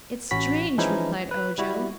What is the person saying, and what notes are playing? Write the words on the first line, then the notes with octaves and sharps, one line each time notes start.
"It's strange," replied Ojo.
A1 C#4 F#4 B5 B6
E3 F3 G#3 C#4 D#4 E4
B4
G3 E4 F#4